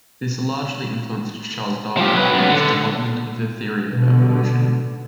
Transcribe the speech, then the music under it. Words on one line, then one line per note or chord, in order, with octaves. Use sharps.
This largely influenced Charles Darwin in his development of the theory of evolution.
F3 G4
F#3 B4
F#2 B3
D3
B2 D3